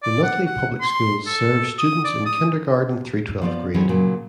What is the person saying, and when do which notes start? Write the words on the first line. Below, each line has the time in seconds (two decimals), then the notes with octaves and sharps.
The Nutley Public Schools serve students in kindergarten through twelfth grade.
0.03 D5
0.23 F#5
0.46 F#5
0.81 C6
1.27 A4
1.78 D#6
2.05 D5
2.26 D#6
3.42 F3 B3 C#5 D5
3.74 D#3 E3 F#3 C4 C#4
3.89 A#2 C#3 F#3